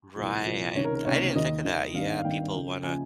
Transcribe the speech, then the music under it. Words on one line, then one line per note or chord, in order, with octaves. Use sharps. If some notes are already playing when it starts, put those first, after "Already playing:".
Right, I and I didn't think of that, yeah, people wanna
C2 A#2 F3
C2 A#2 F3
C#2 C3 D#3 C#5
A#4
A#4
C#2 C3 D#3 C#5
D#2 D#3 D#5
D#2 D#3
G#1 G2 D#3 F5
F5
G#1 G2 D#3 G5
C#2 C#3 F3
C#3 F3 G#5